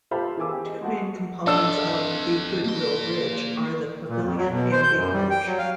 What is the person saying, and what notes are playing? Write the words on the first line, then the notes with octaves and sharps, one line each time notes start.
Two main components of The Goodwill Bridge are the pavilion and the arch.
F4 G4 A4 C5 F5 B5
E3 G#4 A#4 G#5 D6 E6
G4
G#4 D#5
G#3 F#4 A4 F#5
D4 A4 D#5 E6
A#3 C6
A#2
F2
F#3
B2
C5
G6
F#2
G3
G5
F#3
F5